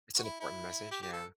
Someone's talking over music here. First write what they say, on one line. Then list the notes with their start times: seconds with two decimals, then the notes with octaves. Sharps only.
It's an important message, yeah.
0.18 F#4
0.24 E4
0.40 E4
0.91 G4
1.02 G4
1.13 A4